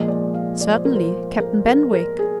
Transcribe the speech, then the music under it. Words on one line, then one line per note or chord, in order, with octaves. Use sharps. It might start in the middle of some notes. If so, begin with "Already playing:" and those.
"Certainly: Captain Benwick."
Already playing: A#2 F3 G#3 D#5
D5
F5
D5
C5
A#4
C5
A#4
A#4
A#4
G#4